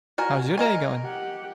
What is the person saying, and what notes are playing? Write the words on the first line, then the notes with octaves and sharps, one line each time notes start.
How's your day going?
F#4 A#4 G#5
A#4 D#5 G#5
G4 F#5